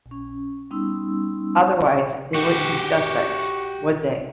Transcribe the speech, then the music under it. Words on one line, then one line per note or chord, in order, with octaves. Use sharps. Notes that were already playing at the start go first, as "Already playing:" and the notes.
Otherwise, they wouldn't be suspects, would they?
C#4
G3 B3 C#4 D#4 C6 E6
C#6
F#4 G4